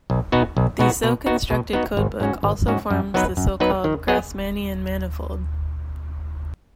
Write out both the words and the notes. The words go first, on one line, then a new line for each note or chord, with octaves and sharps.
The so-constructed codebook also forms the so-called Grassmannian manifold.
B1
B2 B3 D#4 F#4
B1
B2 B3 D#4 F#4
B2
B3 D#4 F#4
B2
B3 D#4 F#4
G#1
G#2 G#3 C#4 F#4
G#1
G#2 G#3 C#4 F#4
F#2
F#3 B3 D#4 B4
F#2
F#3 B3 D#4 B4
D#3
B3 G#4 D#5